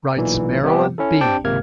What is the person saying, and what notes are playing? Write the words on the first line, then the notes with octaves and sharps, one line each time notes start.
Writes Marilyn B.
B1 A#2 E3
C3 G3 B3 C4 G4
C#4 E4 A4
C4 D4 G4 D5 G5 A5
G#1 C#2 C3 A#3 F6 G#6